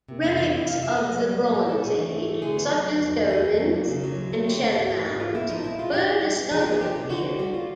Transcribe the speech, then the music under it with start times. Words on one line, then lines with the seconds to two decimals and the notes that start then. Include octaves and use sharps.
Relics of the Bronze Age, such as dolmens and shell mounds, were discovered here.
0.08 C3
0.23 F2
0.38 E3
0.52 C3
0.67 F#2 F5
0.81 F#2 E5
0.96 F#3 D#5
1.11 F#3 B4
1.25 G3
1.40 A#2
1.54 A#2 A#4
1.69 G3 A4
1.83 A3 G#4
1.99 E3
2.13 G#2
2.28 A3
2.42 D3 G#4
2.57 B3
2.71 F#3
2.86 D2
3.01 F2
3.16 D#3
3.30 F2 G#4
3.44 F2
3.59 F#3
3.74 A#3
3.89 C#3
4.04 F#3
4.17 D2
4.32 A3
4.47 D3 G4
4.62 D2
4.76 G#2
4.91 A#3
5.05 G#2 F#4
5.20 A#3 F4
5.34 A#2 E4
5.49 F3 D#4
5.64 A#2 E4
5.78 G#3 F4
5.93 D4 G4
6.08 D4
6.23 G3
6.37 B3
6.52 F3 G#4
6.60 G4
6.66 A#3 G#4
6.81 F3 G4
6.95 C3
7.10 D3 F#4
7.24 D2
7.39 G3 F#4
7.54 F4